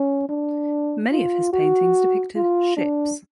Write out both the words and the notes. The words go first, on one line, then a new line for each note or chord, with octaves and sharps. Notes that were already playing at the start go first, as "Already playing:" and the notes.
Many of his paintings depicted ships.
Already playing: C#4
D4
F4
F#4
F4
D4